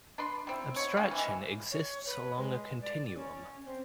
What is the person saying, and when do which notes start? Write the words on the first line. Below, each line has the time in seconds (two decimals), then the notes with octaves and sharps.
Abstraction exists along a continuum.
0.18 D4 B4 C6
0.47 G3 C4 E4
0.76 B2 C#5
0.97 D3 C4 G4 F5
1.11 E3 G#3
1.71 C#5
2.07 B4
2.38 G#3
2.81 D5
3.15 C#4
3.66 C4